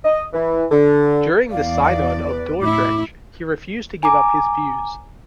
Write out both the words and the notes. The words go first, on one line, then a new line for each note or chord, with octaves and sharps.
During the synod of Dordrecht he refused to give up his views.
D#5
E3
D3
E2 D5 F5
B4
A2 E4 D6
G#5 A#5 D6